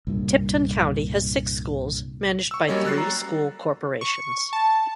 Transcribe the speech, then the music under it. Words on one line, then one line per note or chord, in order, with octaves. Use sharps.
Tipton County has six schools, managed by three school corporations.
C2 G2 A#2
C#6 E6
F#3 G3 A#3 C#4 C#5 D#5
E6 F#6 A6 C7
A#5
C#6
A5